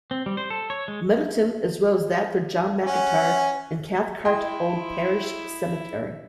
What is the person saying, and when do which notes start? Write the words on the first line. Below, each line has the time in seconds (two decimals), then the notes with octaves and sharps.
Middleton, as well as that for John McIntyre in Cathcart Old Parish Cemetery.
0.11 C4
0.26 G3
0.37 C5
0.50 A4
0.70 C#5
0.88 G#3
2.86 C#4 F#5 G#5
4.25 E4 D#5 G5 C6